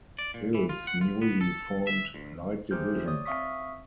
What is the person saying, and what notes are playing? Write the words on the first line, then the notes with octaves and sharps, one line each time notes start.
Hill's newly formed Light Division.
D5
A#2
E3
F4
F#5
F4
B3
A4
E5
D2
A3 G4 G#4 C5 F6 G6
C#5 D5 D#6
C4 E5 F5 C#6 D#6 B6